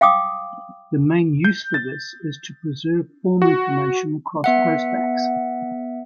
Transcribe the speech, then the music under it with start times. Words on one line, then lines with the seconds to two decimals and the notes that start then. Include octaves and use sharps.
The main use for this is to preserve form information across postbacks.
0.01 F5 G5 D6 D#6
1.44 G6
1.74 A6
3.42 F#4
4.44 B3 E5 F#5